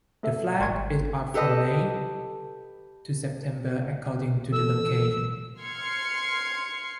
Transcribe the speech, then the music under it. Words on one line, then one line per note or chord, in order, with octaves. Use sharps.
The flag is up from May to September according to the location.
A3 A4 E5
G#1 C6 C#6 G#6
G4 A4 B4 D#5
E3 A4 E6
C6 F6 G#6 C7 C#7